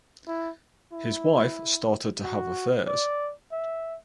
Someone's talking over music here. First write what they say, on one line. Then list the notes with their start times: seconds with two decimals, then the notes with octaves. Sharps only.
His wife started to have affairs.
0.27 E4
0.92 E4
2.22 F#4
2.87 D5
3.52 E5